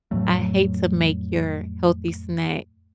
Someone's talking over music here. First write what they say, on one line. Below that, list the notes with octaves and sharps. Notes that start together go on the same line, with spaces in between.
I hate to make your healthy snack
F2 A2 F#3 A3